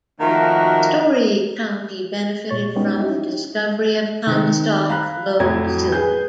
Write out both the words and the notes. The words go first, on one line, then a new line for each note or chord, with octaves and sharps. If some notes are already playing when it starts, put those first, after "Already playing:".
Storey County benefited from the discovery of Comstock Lode silver.
D#3 F3 A3 A#3 F#4
A#2 C#5 A6
G3 G#3 B3 C#4 D#4 G4
C#4 D#4 E4 G4
D#3 C4
F5 A#5 B5 F#6
F2 A2 F#3 F#4 G#6
G#4 B4 G#5 G6